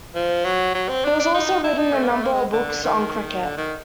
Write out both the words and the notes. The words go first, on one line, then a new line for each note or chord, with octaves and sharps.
He has also written a number of books on cricket.
F3
F#3
F#3
C4
D4
D4
D#4
E4
D#4
A3
A#3
A3
A#3
G#3
D3
D#3
D3
D#3